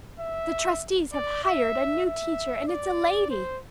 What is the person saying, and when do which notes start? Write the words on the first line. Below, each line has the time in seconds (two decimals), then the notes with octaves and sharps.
The trustees have hired a new teacher and it's a lady.
0.20 E5
1.13 D5
1.45 E5
2.06 E5
2.68 D5
3.30 C5